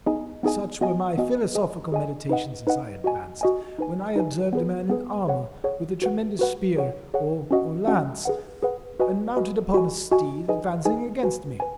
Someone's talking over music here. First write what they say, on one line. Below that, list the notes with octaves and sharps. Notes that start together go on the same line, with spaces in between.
Such were my philosophical meditations as I advanced, when I observed a man in armour with a tremendous spear or lance, and mounted upon a steed, advancing against me.
B3 D#4 G#4 D#5 G#5
B3 D#4 G#4 D#5 G#5
B3 F#4 D#5 G#5
B3 F#4 D#5 G#5
G#4 D#5 G#5
G#4 D#5 G#5
D#4 B4 D#5 F#5
D#4 B4 D#5 F#5
F#4 D#5 G#5
F#4 D#5 G#5
D#4 B4 G#5
D#4 B4 G#5
B3 G#4 B4
B3 G#4 B4
G#4 C#5 F#5
G#4 C#5 F#5
F#4 B4 F#5
F#4 B4 F#5
G#4 C#5 F#5
G#4 C#5 F#5
C#4 F#4 D#5 F#5
C#4 F#4 D#5 F#5
G#4 B4 F#5
G#4 B4 F#5
F#4 B4 D#5 G#5
F#4 B4 D#5 G#5
F#4 D#5 G#5
F#4 D#5 G#5
D#4 G#4 B4 D#5 G#5
D#4 G#4 B4 D#5 G#5
F#4 B4 G#5
B4 G#5